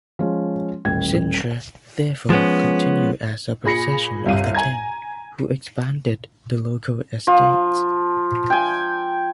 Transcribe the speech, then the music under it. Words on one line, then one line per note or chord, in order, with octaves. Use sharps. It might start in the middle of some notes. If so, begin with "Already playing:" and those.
Sintra, therefore, continued as a possession of the King, who expanded the local estate.
F3 G#3 C#4
D#1 A1 G5 G#6
F3 G#3 B3 C#4
A#2 G#4 B5 A#6 C#7
G1 C2 G4 F5 D#7
G#5 A#5 G#6
F3
G5 G#5